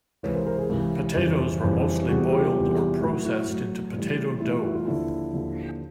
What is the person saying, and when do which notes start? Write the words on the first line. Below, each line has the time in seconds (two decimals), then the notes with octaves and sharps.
Potatoes were mostly boiled or processed into potato dough.
0.23 C#2 C3 E3 B4 C#5
0.35 A#4 C5
0.47 A#4 C5
0.58 G#4 A#4
0.70 C#2 C3 E3
1.16 F2 C#3 E3 G3
1.63 F2 C#3 E3 G3
2.09 E2 C3 E3 G3 F#4 G#4
2.26 G#4
2.32 F4 G4
2.55 E2 C3 E3 G3
3.01 A2 F#3 E4 F#4
3.24 E4 F#4
3.48 A2 F#3
3.94 A2 E3 G3
4.40 A2 E3 G3 E4
4.52 F4
4.64 E4 F#4
4.75 F4
4.86 D#2 D3 F3 E4
5.33 D#2 D3 F3